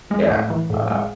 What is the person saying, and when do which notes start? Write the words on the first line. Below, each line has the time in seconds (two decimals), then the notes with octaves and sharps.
Yeah, uh,
0.11 G#3
0.31 A2
0.50 E3
0.70 A2
0.90 G#3